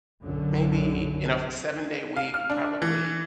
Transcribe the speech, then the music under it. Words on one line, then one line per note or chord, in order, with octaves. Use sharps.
maybe in a f seven-day week, probably
B1 F#2 D3
F5
F6
D4
E3